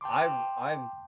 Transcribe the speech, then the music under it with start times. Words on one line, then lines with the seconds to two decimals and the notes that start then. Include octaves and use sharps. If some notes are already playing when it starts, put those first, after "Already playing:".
I ru I've
0.01 G5 A5 C6 D6